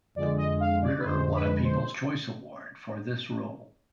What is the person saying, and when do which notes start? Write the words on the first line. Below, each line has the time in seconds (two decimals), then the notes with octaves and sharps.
Ritter won a People's Choice Award for this role.
0.15 F2 D3 G#3 D5
0.37 D#5
0.60 F5
0.82 D5
0.99 B4
1.04 F2 D3 G#3 C5
1.35 B4
1.64 C5